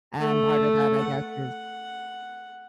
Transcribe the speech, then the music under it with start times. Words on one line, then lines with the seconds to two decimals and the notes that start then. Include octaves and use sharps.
and part of that, I guess, is
0.19 A3
1.02 F#5